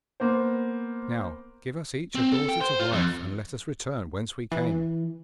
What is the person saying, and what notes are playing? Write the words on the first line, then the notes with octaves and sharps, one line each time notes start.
Now give us each a daughter to wife, and let us return whence we came.'
A#3 B3 C5
C4
A4
G5
C5
F4
F2
E3